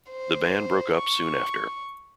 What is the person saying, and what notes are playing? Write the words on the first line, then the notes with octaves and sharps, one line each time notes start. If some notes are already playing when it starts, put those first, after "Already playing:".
The band broke up soon after.
C5
C#6